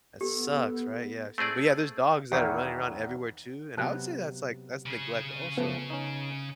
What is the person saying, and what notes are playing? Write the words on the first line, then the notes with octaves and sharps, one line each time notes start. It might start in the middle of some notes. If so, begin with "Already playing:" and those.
That sucks, right? Yeah, actually but, yeah, there's dogs that are running around everywhere, too, and I would say that's, like that's neglect also,
B3 G4 A4
A3 C4 G#4 D5
E2 D#3 E3
C3 F#3 B3 A5 F#6
C#3 G#4
F3 A3 B3 B4
C#4 D#4